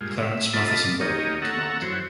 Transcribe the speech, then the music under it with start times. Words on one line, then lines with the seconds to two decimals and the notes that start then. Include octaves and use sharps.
Clarence Matheson Bowley in command.
0.01 G2 A#2 G#3 F4
0.23 E5
0.53 F4 A4 D#5 A5 B5 D6
1.01 A#3 D#4 G4 C#5 D#5
1.42 A4 F#5 A#5 C#6 E6
1.82 F#2 E3 F#4 C5 C#5